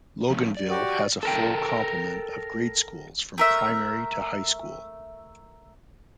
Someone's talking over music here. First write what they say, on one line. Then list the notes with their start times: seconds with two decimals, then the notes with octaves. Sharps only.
Loganville has a full complement of grade schools from primary to high school.
0.30 F3 A3 C#4
0.57 D5
0.70 F#4 G4
1.23 A4 A#4 G5
3.38 A3 A#4 E5